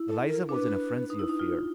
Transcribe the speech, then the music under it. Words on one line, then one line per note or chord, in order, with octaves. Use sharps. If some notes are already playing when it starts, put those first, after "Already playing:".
Eliza was in a frenzy of fear.
Already playing: E4
A4
A#4
D4 B4
D#4
E4
D#4
F4